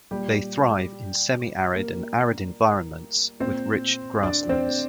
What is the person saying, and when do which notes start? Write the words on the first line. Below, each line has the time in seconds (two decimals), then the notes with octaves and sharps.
They thrive in semiarid and arid environments with rich grasslands.
0.11 A#2 G3 G4
1.75 A#3 A#4
3.40 A#2 C4 C5
4.23 D4 D5
4.49 C4 C5